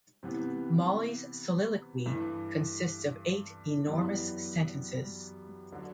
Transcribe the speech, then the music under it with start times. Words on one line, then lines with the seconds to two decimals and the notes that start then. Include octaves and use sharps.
Molly's soliloquy consists of eight enormous sentences.
0.23 C3 E3 B3
2.06 G2 E3 A3
3.88 F#2 E3 G3 B3
5.72 D3 F#3